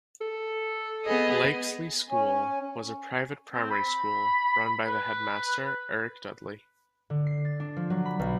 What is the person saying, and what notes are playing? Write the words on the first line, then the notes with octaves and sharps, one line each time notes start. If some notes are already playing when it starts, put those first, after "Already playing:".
Blakesley School was a private primary school run by the Headmaster Eric Dudley.
A4
B3 G#4 D#5
C#4
C4
B5
B4
D3
C7
A6
D4
F3
F#3
B5
B1